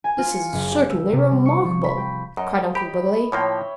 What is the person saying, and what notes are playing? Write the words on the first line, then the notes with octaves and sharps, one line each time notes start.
"This is certainly remarkable!" cried Uncle Wiggily.
G#5
F4
C#7
F#1
G4
E6
C3
G3
C#6
F3
B5
G5
F#2 D#5
G4 B5
A2 F3 A#3 C#5 E5 G5